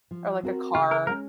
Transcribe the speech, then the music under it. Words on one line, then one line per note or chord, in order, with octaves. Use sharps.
or, like, a car.
F3
C4 F#4 A#4
C#3 F4
A#4
G#3 C#4 A#4